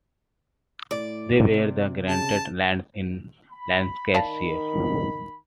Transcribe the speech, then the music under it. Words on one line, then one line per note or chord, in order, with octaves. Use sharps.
They were granted lands in Lancashire.
A2 D5
C3
C#3 A5
B5
D#3 D5 F5 A5